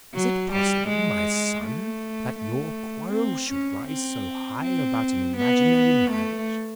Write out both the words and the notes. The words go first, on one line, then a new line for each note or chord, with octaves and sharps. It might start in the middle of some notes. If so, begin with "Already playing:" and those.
Is it possible, my son, that your quarrel should rise so high about an imaginary marriage?
F#3
G3
G#3
A3
A3
C4
C#4
C4
C4
B3
A3